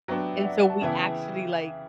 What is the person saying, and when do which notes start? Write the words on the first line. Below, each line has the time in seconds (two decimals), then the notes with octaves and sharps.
And so, we actually, like
0.08 F#3 B3 D4 E5 G5
0.37 E5
0.45 D5 F#5
0.70 A5
0.81 C#3 E3 B3 E4 E5 G5